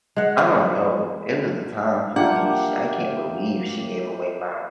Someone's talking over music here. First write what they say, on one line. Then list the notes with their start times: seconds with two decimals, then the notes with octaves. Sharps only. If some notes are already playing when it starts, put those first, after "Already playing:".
I don't know, it was a time for me, sh I can't believe she gave away my
0.16 G#3 F#5
2.16 A#3 D4 F4 G4 E5 F#5